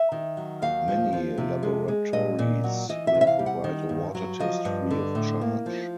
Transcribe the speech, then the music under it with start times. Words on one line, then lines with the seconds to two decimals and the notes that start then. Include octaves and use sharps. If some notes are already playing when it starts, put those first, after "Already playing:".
Many laboratories will provide a water test free of charge.
Already playing: E5
0.12 D#3
0.37 F#3
0.62 D#2 F5
0.88 F3
1.12 F3
1.38 C3
1.63 G#3
1.88 G#3
2.13 A#2 D#5
2.39 A#2
2.64 F#3
2.89 E3 D#5
3.07 E5
3.15 C3
3.21 E5
3.27 F5
3.39 G3
3.46 F#5
3.64 D#3
3.89 G2
4.15 F#3
4.40 F3 D#5
4.65 G2
4.91 D3
5.15 A2
5.41 A#3
5.66 F3